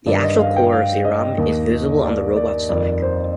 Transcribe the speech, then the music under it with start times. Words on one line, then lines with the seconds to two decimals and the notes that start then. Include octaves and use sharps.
The actual core of Zeiram is visible on the robot's stomach.
0.06 G2 D#3 D5
0.24 D#5
0.40 F5
0.56 G5
0.72 F5
1.05 D#5
1.38 D#2 D#3
2.03 D5
2.36 D5
2.69 F2 D#3 D5
3.02 C5